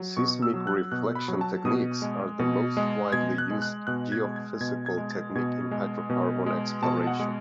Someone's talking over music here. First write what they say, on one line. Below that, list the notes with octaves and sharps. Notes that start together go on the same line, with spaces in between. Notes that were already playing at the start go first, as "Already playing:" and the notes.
Seismic reflection techniques are the most widely used geophysical technique in hydrocarbon exploration.
Already playing: F#3
B2 C#6
E6
F#3
F#6
B2 F#6
B5
F#3
A5
B2 D#6
G#3
B2
G#3
B2 G#6
F#6
G#3
F#6
B2 F#6
G#6
G#3
G#6
B2 G#6
G#6
G#3
A6
B2 G#6
G#3
B2
G#3
B2 A5
F#5
G#3